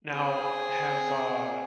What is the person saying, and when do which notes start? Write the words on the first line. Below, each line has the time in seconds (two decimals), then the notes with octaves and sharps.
Now, have, uh
0.12 C4 G#4